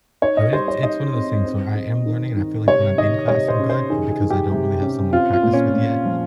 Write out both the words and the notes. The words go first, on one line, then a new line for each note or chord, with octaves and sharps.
No, it's it's one of those things where I am learning, and I feel like when I'm in class, I'm good, but because I don't really have someone to practice with yet,
D#4 C#5
D#5
G3 C5
C#5
D#4 D#5
C4
C4
C4
D#3
D#3
C3 C#5
D#3 D#5
C3 C#5
C5
C#4
C5
D#3 G#4
G#4
D#3
G4
C3
C#4
C4 F4
F4
A#2
C#4
A#2
F3